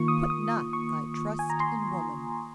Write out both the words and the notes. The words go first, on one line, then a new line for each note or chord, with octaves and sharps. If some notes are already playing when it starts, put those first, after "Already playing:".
Put not thy trust in woman!
Already playing: D#3 A#3 F4 C#6
D#6
D#6
C#6
G#5
A#5
C6